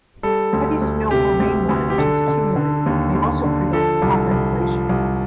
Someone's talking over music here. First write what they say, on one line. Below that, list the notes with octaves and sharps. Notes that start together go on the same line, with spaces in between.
Heavy snow or rainwater which has accumulated may also prevent proper inflation.
G3 A4
D2
D2
C3 G4
D2
D2
G4
D3 A4
D3
D3
D#2
D#2
D3
F3 A4
C2
C2
F3
C2